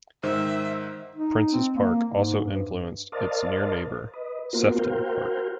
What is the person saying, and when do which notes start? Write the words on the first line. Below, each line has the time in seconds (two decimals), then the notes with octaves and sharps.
Prince's Park also influenced its near neighbour, Sefton Park.
0.23 G#2 D#3 C5 E5
1.15 D#4
1.52 C4
1.75 A#3
2.11 G#2
2.44 G2
3.12 A#4 C5 D5 D#5 F5 A5
4.14 B4 D#5
4.53 A#3 B3 F4 F#4 A#4 C5
4.79 F#4 A#4 C5 F5 G5